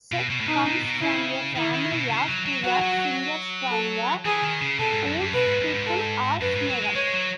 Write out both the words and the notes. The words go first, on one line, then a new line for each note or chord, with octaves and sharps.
Seck comes from a family of "griot" singers from the Wolof people of Senegal.
B2
B2
A2
B2 D#4
B2
B2
C#3 E4
D#3 E4
D#3
B2
C#3
F#3
F#3
F#3 F#4
F#3
F#3
A4
E3 G#4
D#3
C#3
B2 A4
G#2
F#2
F#2
B2 B4
G#2
F#2
G#2
A4
F#2 B4
G#2
F#3
G#3
G#3 C#5
F#3